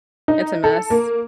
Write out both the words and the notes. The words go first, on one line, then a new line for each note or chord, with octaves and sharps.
It's a mess.
D#4
A4
A#3